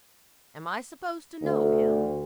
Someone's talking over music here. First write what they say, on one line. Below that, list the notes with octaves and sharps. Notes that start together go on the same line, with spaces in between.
"Am I supposed to know him?"
D2